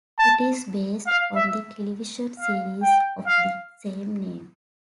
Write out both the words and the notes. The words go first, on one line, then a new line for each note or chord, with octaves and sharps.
It is based on the television series of the same name.
A5
F5
E5
F5
G5
F5